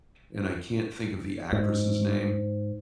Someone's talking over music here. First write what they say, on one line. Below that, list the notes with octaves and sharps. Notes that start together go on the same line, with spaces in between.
and I can't think of the actress' name
G#2